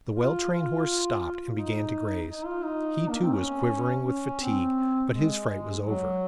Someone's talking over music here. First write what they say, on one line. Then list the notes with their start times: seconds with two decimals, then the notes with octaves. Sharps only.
The well-trained horse stopped and began to graze; he too was quivering with fatigue, but his fright was over.
0.15 F4
0.51 F4
1.57 D#4
2.28 D#4
2.46 F4
2.64 D#4
3.09 A#3
3.23 C4
3.34 C#4
4.06 C#4
4.41 C4
5.12 G#3
5.82 F#3